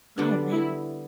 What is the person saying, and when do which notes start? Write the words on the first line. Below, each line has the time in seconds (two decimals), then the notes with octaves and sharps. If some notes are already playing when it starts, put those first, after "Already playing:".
Oh, man.
0.17 D3 G3 B3 D4
0.50 E4